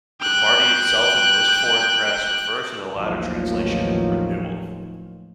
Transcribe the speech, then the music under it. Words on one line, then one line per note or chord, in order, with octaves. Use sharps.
The party itself and most foreign press prefers the latter translation, "Renewal".
G5 F#6
A1 D#2 D#3 F3 F#3